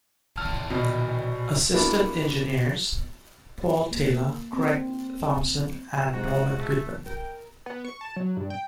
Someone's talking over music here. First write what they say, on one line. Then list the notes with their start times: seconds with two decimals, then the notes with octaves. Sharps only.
Assistant engineers: Paul Taylor, Craig Thompson and Norman Goodman.
0.37 D#3 E3 A5 F6
0.70 A#1 B2
1.73 E3 A#3 B3 D4 E4 F#4
3.91 A#3
4.53 C4
6.13 G#2 G#3 F4 F#4
6.58 A3
7.06 A#4 G5
7.66 B3
7.85 C#6
8.01 A5
8.16 F#3
8.37 G2
8.50 G5